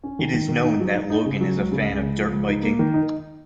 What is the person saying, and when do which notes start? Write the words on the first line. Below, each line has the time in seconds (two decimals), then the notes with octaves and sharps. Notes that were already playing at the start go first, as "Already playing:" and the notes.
It is known that Logan is a fan of dirt biking.
0.04 C#4
0.19 D#3
0.34 D#3
0.49 D#3
0.64 D#4
0.80 F#3
0.95 D#4
1.10 D#4
1.26 C#3
1.41 F#3
1.56 C#2
1.72 C#3
1.86 C#2
2.01 C#2
2.17 F3
2.32 C#2
2.48 D#4
2.63 A#3
2.79 D#3
2.94 D#4